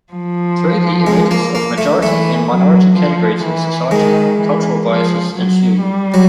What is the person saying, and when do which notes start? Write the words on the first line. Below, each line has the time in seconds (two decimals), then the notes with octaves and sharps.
Through the emergence of majority and minority categories in society, cultural biases ensue.
0.12 F3
1.07 G#3
1.31 A#3
1.55 A#3
1.78 A3
2.02 E3 A3
2.50 F#3
2.97 F3
3.44 E3
3.91 D#3 G#3
4.39 E3
4.86 F3
5.34 F#3
5.81 G3
6.14 F#3